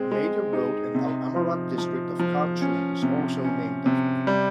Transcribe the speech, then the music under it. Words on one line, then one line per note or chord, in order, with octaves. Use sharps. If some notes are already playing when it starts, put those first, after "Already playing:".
A major road in Al Amarat District of Khartoum is also named after him.
Already playing: G#3 C4
G#3
D#4
C3
F3
F3
F3
C#4
C3
C#4
C3
G3